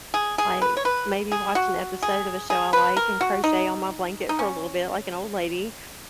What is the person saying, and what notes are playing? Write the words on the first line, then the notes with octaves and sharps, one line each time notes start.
like, maybe watch an episode of a show I like and crochet on my blanket for a little bit like an old lady,
G#4
G#4
B4
C#5
B4
G#4
F#4
G#4
G#4
B4
A#4
F#4
D#4
D#4
C#4